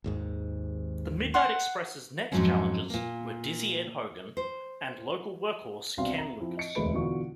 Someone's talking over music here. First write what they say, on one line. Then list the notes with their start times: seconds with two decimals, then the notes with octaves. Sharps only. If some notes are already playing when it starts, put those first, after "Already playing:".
The Midnight Express's next challengers were "Dizzy Ed" Hogan and local workhorse Ken Lucas.
0.04 G#1 D#2 G#2
1.34 F#5 C6
2.32 F2 G#2 F#3 C4 C#4
2.90 A#2 A#3
4.37 C5
5.97 C2 B2 C4 D4 F5 C6
6.15 E5 A#5
6.40 F3 C4 E4
6.57 D#5 C#7 D7
6.75 E1 D2 G#3 B4 B5 D7
6.94 B2 D3 E3 F4 C#6